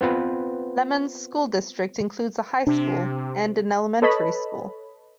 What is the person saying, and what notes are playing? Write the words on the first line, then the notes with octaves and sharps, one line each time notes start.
Lemmon's school district includes a high school and an elementary school.
B3 C4 F4 B4
C3 D4
A4 B4 C#5 D#5 A5 B5